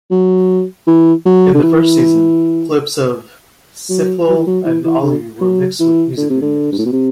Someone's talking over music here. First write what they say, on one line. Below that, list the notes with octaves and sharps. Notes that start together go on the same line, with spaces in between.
In the first season, clips of Sifl and Olly were mixed with music videos.
F#3
E3
F#3
D3
E3
F#3
F#3
E3
F#3
E3
E3
D3
F#3
E3
D3
C3
D3
G2
A2
B2
C3